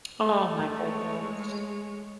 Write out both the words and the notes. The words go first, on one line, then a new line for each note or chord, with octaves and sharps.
Oh, my goodness.
A3
G#3 C#5